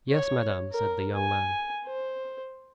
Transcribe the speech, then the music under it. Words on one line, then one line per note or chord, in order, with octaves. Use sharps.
"Yes, madame," said the young man.
C#5
A#4
G#5
C5